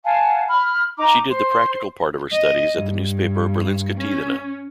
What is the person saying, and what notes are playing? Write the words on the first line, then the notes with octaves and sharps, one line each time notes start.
She did the practical part of her studies at the newspaper "Berlingske Tidende".
F5 F#5 G#5 A5
B5 F6
D#4 A#5 D6
C5 C6
D#5
G2
C#4